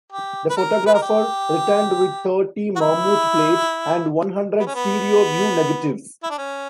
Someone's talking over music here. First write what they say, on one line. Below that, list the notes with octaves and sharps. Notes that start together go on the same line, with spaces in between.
The photographer returned with thirty mammoth plate and one hundred stereo view negatives.
G4
B4
A#4
B4
A#4
G4
F#4
E4
B3
C#4
B3
E4
D4
C#4